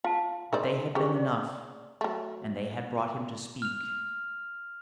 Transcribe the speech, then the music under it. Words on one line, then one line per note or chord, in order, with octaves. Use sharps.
But they had been enough, and they had brought him to speak.
F4 F5 A5
D#4 A#4 C5 D5 C6
C#4 G4 G#4 C5 C#6
D5 D#5
F#3 A3
F6 F7